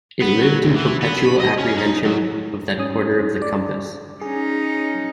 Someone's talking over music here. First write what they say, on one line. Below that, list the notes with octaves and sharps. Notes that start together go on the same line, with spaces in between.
It lived in perpetual apprehension of that quarter of the compass.
B3
F#3
D2
E3
B3
B5
D#5
C#4
D#4
F#3
G#2 C#4 D#6
D5
C#4 D#4 G#4